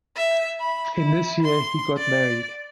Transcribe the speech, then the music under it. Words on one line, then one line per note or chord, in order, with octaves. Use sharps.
In this year, he got married.
E5
B5
E4
C6
D5